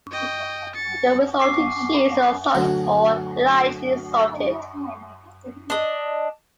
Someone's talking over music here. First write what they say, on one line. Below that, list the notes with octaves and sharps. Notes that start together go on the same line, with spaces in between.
The resulting cheese is unsalted or lightly salted.
D#5 G5
A6 C#7
C#6 D6 C7
D2 F#3
D4 D#5